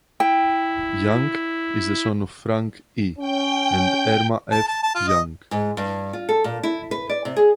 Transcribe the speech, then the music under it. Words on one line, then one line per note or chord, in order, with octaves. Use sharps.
Young is the son of Frank E. and Erma F. Young.
E4 G5
C#4 G5 G6
A5
A5
A5
F4
D#5
G#2
G2
F4
A4
A#2
E4
B4
D5
C3
G#4